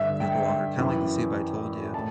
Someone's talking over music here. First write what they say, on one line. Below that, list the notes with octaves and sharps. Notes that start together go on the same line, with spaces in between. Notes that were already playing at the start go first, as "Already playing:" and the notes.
you know, the longer kinda like the soup I told you,
Already playing: G2 D3 E5
G5
F#2 E3
A2 A5